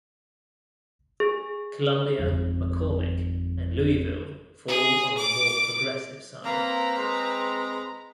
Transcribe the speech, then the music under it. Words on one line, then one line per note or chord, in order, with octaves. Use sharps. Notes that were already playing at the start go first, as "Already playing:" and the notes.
Columbia, McCormick, and Louisville fall on the more progressive side.
G#4
G#1 F2 G#2
G#4
D6
A#3 C4 B4 A#5
G#3